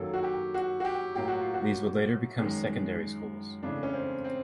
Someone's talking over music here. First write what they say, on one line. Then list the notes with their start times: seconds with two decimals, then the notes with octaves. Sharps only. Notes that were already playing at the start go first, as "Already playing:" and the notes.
These would later become secondary schools.
Already playing: F#2 D#3 F#3 A#3 A4
0.14 F#4
0.23 G4
0.54 F#4
0.80 F#4
0.85 G4
1.15 A2 F#3 A#3 G4
1.28 F#4
1.41 F4
1.54 F#4
2.39 F#2 D#3 G#3
3.62 F2 C#3 E3 A3 D4
3.83 C#4
3.93 C4
4.24 C4